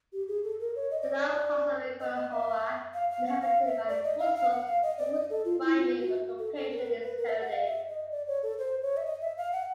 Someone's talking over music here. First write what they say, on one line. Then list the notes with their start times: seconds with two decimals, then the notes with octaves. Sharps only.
The lower parts of Chornohora are inhabited by Hutsuls, whose primary occupation is herding.
0.13 G4
0.28 G#4
0.44 A4
0.60 A#4
0.76 C#5
0.91 D#5
1.01 D5
1.11 C#5
1.21 D5
2.01 D#5
2.16 D#5
2.32 E5
2.94 F5
3.11 F5
3.26 F#5
3.42 F5
3.65 E5
3.88 D5
4.04 D#5
4.19 F5
4.36 F5
4.52 F#5
4.67 F5
4.83 D#5
4.98 D5
5.14 D#5
5.30 A4
5.45 F4
5.61 E4
5.76 F4
6.00 F#4
6.39 A4
6.55 A4
6.71 A#4
6.79 B4
6.87 A#4
7.01 B4
7.17 A#4
7.29 E5
7.41 F#5
7.53 F5
7.65 E5
7.89 D#5
8.11 D5
8.27 C#5
8.43 A4
8.59 C5
8.82 C#5
8.97 E5
9.05 D#5
9.21 E5
9.37 F5
9.52 F#5